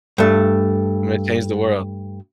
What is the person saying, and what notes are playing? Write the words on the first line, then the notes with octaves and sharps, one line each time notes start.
I'm gonna change the world.
G2 A3